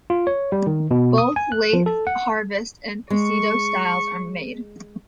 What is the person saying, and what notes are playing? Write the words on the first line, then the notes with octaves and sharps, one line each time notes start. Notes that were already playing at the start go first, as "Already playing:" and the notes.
Both late harvest and "passito" styles are made.
F4
C#5
G3
D#3
B2
D#6
G#5
F#6
F3
A4
F#5
G#3 C#6